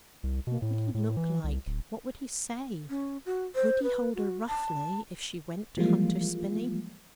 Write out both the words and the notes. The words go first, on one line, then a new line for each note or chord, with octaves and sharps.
What would he look like, what would he say, would he hold her roughly, if she went to Hunter's Spinney?
C2
B2
A2
A2
E3
C2
D1
C#4
F#4
C5
B4
F#4
A5
E3 F3 G3 G#3 A#3 F4